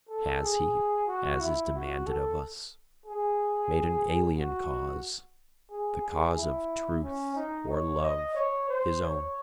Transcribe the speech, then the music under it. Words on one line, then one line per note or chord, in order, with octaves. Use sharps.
Has he, as is demanded of us, made an alien cause, the cause of truth or love, his own?
A4
G#4
F#4
E4
F#4
A4
G#4
F#4
G#4
G#4
E4
C#4
D#4
C#5
D#5
C#5
C5
C#5